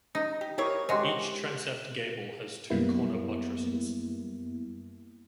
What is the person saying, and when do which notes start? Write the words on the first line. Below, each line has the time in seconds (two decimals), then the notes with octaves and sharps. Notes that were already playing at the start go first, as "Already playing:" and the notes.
Each transept gable has two corner buttresses.
0.15 D#4
0.41 G4
0.58 C4 E4 G4 A#4 C#5 D#6
0.89 G#3 F#4 G4 C5
2.70 F#2 G3 A#3 B3 E4